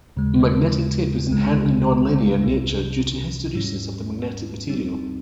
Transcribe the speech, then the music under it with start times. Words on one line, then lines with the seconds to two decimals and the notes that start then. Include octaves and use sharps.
Magnetic tape is inherently non-linear in nature due to hysteresis of the magnetic material.
0.17 D#2 C#3 G#3
1.29 C#2 C#3 G#3
2.42 C2 C3 G3 C#4
3.55 G#2 G3 C#4
4.68 G3 C4 D#4